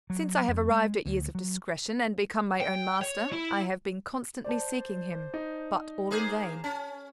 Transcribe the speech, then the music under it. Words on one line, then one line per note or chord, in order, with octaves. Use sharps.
Since I have arrived at years of discretion and become my own master, I have been constantly seeking him, but all in vain.
F#3
F2
G#3
D2
F#3
G5
C#5
E4
C5 D5 A5
D#4
A#3 G#4 C5 A#5
C#4 A5